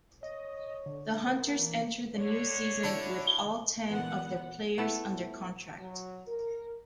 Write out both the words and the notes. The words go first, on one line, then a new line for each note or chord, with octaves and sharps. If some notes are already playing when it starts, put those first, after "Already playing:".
The Hunters enter the new season with all ten of their players under contract.
C#5 D#5
D3
A#3 C5
E3
D3 C#5
D4 E4
A#2 D3 E3 B3 F#5
A3 B3 E4 A4
F#3
A#4